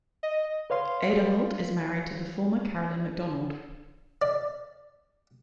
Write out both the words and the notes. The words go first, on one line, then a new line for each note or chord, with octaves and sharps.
Aderholt is married to the former Caroline McDonald.
D#5
B4 C#5 F5 C6
D5